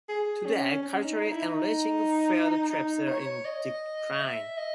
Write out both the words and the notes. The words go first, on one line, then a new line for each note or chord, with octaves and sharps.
Today, culturally enriching field trips are in decline.
G#4
C#4
C#4
D#4
D#4
E4
D#4
D#4
C#5
D#5
E5
D#5